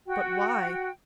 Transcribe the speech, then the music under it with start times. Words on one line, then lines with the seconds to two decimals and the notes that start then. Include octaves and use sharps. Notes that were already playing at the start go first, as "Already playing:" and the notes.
But why?
0.06 F#4 G5